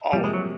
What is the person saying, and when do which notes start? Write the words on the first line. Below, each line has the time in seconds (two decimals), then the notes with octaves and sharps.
All of 'em.
0.13 C3 F3 G3 A#3
0.24 G#3
0.34 F#3